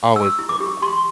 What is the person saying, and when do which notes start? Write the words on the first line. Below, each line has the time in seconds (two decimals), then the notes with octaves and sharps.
always a good laugh.
0.16 G4 E6
0.39 E4
0.49 D6
0.60 G4
0.82 G4 C6